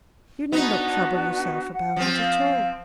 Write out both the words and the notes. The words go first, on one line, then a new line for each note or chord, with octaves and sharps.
You need not trouble yourself about it at all.
B3 D4 D#4 F#4
F#5
F3 C4
F5